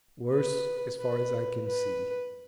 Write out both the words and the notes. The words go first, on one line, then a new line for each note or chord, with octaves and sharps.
'Worse, as far as I can see.
B4
B4
B4